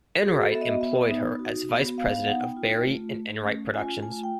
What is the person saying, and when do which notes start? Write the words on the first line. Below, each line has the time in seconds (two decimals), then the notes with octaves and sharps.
Enright employed her as vice president of Barry and Enright Productions.
0.22 F#4 G#4
0.42 A4
0.52 B3 E5
0.61 D#5
0.81 B3 E5
1.10 D#4
1.39 F#4
1.69 B3
1.98 B3 F5
2.12 F5
2.27 D#4 F#5
2.42 G5
2.57 F4
2.86 A3
3.15 A3
3.44 C#4
3.74 F4 G#5
4.03 A3 G#5
4.23 G5